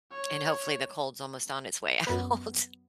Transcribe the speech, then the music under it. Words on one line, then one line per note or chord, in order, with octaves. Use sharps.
And, hopefully, the cold's almost on its way out.
C#5
F#2 B3